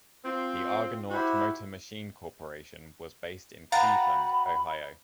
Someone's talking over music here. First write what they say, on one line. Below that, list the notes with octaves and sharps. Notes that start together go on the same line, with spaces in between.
The Argonaut Motor Machine Corporation was based in Cleveland, Ohio.
C4 F4
E4 F#4 G4 C5
F#4 F5 G5 A#5 B5 A6